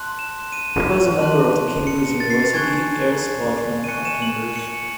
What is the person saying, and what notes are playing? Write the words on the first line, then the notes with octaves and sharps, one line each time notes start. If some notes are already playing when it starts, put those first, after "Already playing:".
He was a member of the Cambridge University Air Squadron at Cambridge.
Already playing: A5 C6 F#6
E7
D#7
A5 C6 F#6
C#7
A6
C7
A6
G#5 C#6 F#6 G#6
D#7
G#5 C#6 F#6 C#7
E7
F#7
C#7